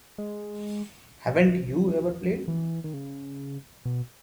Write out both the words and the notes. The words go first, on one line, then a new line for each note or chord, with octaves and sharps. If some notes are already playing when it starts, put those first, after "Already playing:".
Haven't you ever played?
G#3
E3
D#3
C#3
B2